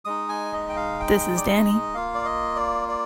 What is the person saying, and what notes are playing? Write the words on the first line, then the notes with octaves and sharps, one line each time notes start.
This is Danny.
G#3 D#4 D#6
G#5
D#5
G5
F5
G5
D5
D#5
A#3 F4 F5
D5
D#5
D5
D5